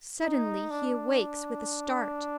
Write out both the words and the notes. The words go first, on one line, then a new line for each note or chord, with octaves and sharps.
Suddenly he awakes with a start.
D#4
D4